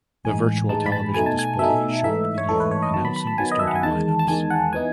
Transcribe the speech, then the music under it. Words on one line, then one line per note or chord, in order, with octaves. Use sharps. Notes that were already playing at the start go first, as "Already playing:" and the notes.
The virtual television display showed video announcing the starting lineups.
A2 E3 G#3 D#4 G#5
A2 E3 G#3 D#4 A5
B5
A5
B2 A3 D#4 G#5
A5
G#5
B2 A3 D#4 E5
G#2 E3 A3 D#4 E5
C#5
G#2 E3 A3 D#4 A4
B4
C#5
D#5
D#3 F#3 B3 A5
B5
B5
A5
D#3 F#3 B3 G#5
D#5
E5
F#5
G#5
E2 D#3 G#3 A5
A5
E2 D#3 G#3 G#5
F#5
E3 B3 D#4 G#5